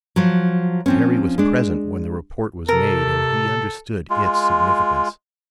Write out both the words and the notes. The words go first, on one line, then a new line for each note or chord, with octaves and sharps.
Harry was present when the report was made and he understood its significance.
F3 F#3
F3 C4 C#4
G#3 D4
C3 A4 A#4
G#3 F4